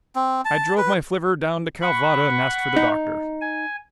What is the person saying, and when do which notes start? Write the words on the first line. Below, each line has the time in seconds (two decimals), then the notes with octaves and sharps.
I drove my flivver down to Calvada and asked for the Doctor.
0.16 C4
0.45 A5
0.77 B4
1.82 F#5 B5 C#6
2.76 D#4
3.41 G#5